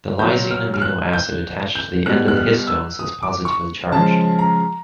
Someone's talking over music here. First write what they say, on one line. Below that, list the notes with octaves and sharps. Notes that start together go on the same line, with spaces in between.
The lysine amino acid attached to the end of the histones is positively charged.
A#2 F#3 G6
F6
F6
F#6
G6
G6
B2 G3 F#6
F#6
F6
E6
D#6
D6
C#6
C#3 F3 G#3 A5
A#5